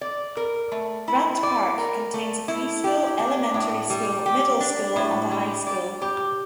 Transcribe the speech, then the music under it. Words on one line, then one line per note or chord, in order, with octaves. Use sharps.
Grant Park contains a preschool, elementary school, middle school, and a high school.
D5
A#4
A3
E4
D5
A#4
A3
E4
G4
D4
A2
G3
G4
D4
A2
G3
D5
G4